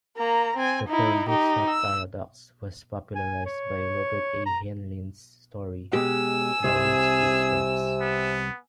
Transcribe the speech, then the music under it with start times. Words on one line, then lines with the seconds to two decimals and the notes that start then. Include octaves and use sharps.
The term bootstrap paradox was popularized by Robert A. Heinlein's story "By His Bootstraps".
0.18 A#3 A#5
0.57 C4 G#5
0.88 D#4 E4
1.29 D#4 G4
1.70 E6
3.15 G#5
3.46 C#5
4.46 A#5
5.93 B2 G#3 G4 G#5 E6
6.64 C2 C3 G#4
8.01 B3